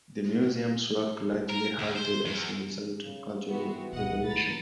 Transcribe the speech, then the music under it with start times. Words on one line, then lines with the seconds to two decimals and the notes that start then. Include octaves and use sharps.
The museum's work largely halted as a result of the Cultural Revolution.
1.49 A#4
1.78 D2
1.95 C5
2.25 E2
3.03 C#3
3.48 E3 B3 C4 F#4
3.93 C#2 B2 D#5 F#5
4.25 D3 D#3 A#5 B5 A6